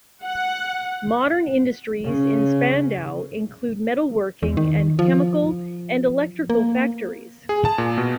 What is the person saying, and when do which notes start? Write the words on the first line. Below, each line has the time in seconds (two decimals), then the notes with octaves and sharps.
Modern industries in Spandau include metal working, and chemical, and electrical factories.
0.25 F#5
2.04 C#3 C#4
4.43 E2
4.57 D#3
4.99 F3
6.50 A#3
7.49 G#4
7.65 A5
7.78 A#2
7.98 B2